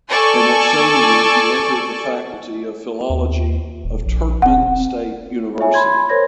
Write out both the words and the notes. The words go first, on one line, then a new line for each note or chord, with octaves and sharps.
In that same year he entered the Faculty of Philology of Turkmen State University.
A4 D5 G#5 C#6
D#2
D#1
A#1
D#1 C4 F#5
F4 C#5 E5 G#5
B5 C6 G#6
A#4 C5 C#5 C6 G#6 A#6